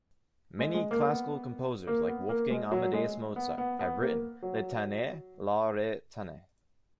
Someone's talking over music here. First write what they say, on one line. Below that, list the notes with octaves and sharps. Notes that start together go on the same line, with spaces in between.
Many classical composers, like Wolfgang Amadeus Mozart have written "Litaniae lauretanae".
G#3
G#3
A#3
B3
A#3
B3
A#3
G#3
F#3
G#3
B3
B3
B3
A#3
F#3